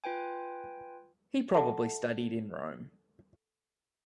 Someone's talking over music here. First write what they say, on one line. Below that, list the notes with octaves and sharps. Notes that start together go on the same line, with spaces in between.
He probably studied in Rome.
F4 B4 G5 G#5
A4 E5 F#5 A5